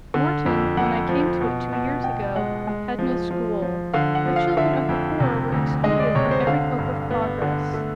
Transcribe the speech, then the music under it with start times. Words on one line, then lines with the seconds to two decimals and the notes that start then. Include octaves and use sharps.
Morton, when I came to it two years ago, had no school: the children of the poor were excluded from every hope of progress.
0.14 D3
0.46 F2
0.77 F2 F#5
1.09 F3
1.41 B2
1.73 B2
2.04 B2 G5
2.36 G#3 F#5
2.67 G#3
2.99 F3
3.31 F3
3.62 F3
3.93 D3 F5
4.15 F#5
4.26 F3
4.36 F5
4.57 D3 E5
4.89 F2
5.20 C3
5.52 D2
5.84 G#3 D#5
5.99 D5
6.15 C3 C#5
6.31 C5
6.47 D3 F5
6.78 G2
7.11 B3
7.42 D3
7.74 A3